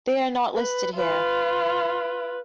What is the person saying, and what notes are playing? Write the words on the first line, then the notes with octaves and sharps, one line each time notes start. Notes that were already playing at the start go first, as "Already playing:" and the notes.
They are not listed here.
B4
F4 B4